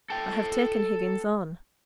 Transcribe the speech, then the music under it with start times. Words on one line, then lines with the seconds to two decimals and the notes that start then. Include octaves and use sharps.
I have taken Higgins on.'
0.10 A4 G5